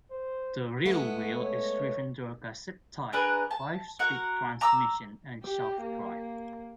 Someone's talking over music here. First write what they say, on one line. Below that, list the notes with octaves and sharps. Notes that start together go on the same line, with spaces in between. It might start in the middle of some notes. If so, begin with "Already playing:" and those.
The rear wheel is driven through a cassette-type five-speed transmission and shaft drive.
C5
G#3 A3 B3 F#5
C#5
D4 G#4 A#4 B4
A5
F#4 A#4 F#5
A#5 D6 E6
G4
A#3